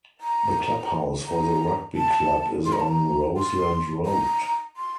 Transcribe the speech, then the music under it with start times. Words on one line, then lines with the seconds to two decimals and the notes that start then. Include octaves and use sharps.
The club house for the rugby club is on Roseland Road.
0.21 A#5
1.25 A#5
1.96 A5
2.65 C6
2.73 A#5
2.80 A5
2.88 A#5
3.37 C6
4.06 A#5
4.77 C6